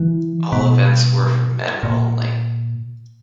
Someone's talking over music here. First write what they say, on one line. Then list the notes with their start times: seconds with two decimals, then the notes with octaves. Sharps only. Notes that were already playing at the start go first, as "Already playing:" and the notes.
All events were for men only.
Already playing: E3
0.52 B2
1.83 A#2